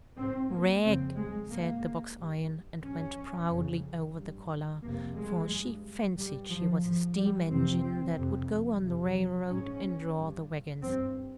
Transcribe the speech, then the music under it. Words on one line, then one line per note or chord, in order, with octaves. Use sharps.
"Rag!" said the box-iron; and went proudly over the collar: for she fancied she was a steam-engine, that would go on the railroad and draw the waggons.
G#2 C4
A#3
F2 C#3 C4
G#3
G#2 A#3
G2
G2 C#4
F2 C#3
G2
F2 C3 A#3
G#3
G2
G2 G3
F3
G#2 F3
G3
F2 C3 C4
F2 C3
F2 C3
G#2 C#4
G2
G2 C4